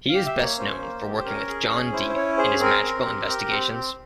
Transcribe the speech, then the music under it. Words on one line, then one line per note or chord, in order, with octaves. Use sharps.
He is best known for working with John Dee in his magical investigations.
F5
G4
E5
A#3
C#5
C#4 C5
A#3
G4
C5
C#4 A#4
G#4
C#4
E4 C5
C5
C#4 C#5
G#4 C5
C4 A#4
C4
G4
G4
C4
C4